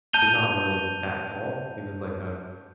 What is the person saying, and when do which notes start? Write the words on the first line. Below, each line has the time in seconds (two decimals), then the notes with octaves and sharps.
he's not really that tall. He was like a
0.13 A5 G6 D#7 F7 G7